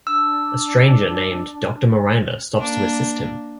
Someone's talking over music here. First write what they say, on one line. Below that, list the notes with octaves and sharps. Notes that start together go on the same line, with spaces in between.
A stranger named Doctor Miranda stops to assist him.
D4 E6
A#3 D4